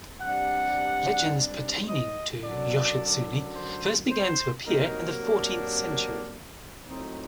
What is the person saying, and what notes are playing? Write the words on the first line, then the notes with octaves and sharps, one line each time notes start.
Legends pertaining to Yoshitsune first began to appear in the fourteenth century.
C3 G3 D4 F#5
D#5
F#2 D3 F#3 D5
C5
C5
C3 F#3 A#3 D#4
D4
A2 F#3 C4 D#4